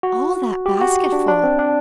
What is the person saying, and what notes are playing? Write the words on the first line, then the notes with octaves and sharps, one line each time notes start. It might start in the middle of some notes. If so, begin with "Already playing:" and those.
"All that basketful!"
F#4
G4
F#4
D4
D4
C4
D4